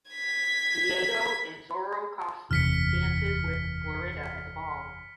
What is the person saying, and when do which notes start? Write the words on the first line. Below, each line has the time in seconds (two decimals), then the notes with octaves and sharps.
Diego, in Zorro costume, dances with Florinda at the ball.
0.11 G#6 B6
2.51 F#1 E2 C3 F6 B6 C#7